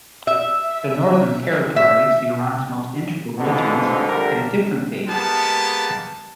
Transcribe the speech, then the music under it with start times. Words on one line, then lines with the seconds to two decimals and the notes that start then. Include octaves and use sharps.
The northern territories, Iran's most integral regions, had a different fate.
0.27 E5
1.76 E5
3.38 C2 F2 G#2 B2 D3
4.07 D3 F3 G3 A3 A#4
5.07 G#3 A#3 B3 G4 A5